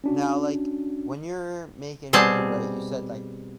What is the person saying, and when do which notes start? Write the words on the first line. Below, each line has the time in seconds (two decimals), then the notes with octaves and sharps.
Now, like, when you're making food right, you said like
0.04 C#4 D4 F#4
2.13 B2 G3 C4 G#4 A5